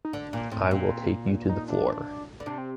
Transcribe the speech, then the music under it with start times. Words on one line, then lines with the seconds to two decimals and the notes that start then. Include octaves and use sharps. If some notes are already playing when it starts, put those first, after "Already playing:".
I will take you to the floor.
0.05 D#4
0.13 D3 D4
0.33 A#2
0.51 A2 C4
0.71 A#2
0.81 A#3
0.91 C4
1.49 D#4
1.68 D4
2.40 D3
2.46 C3 D4
2.58 C4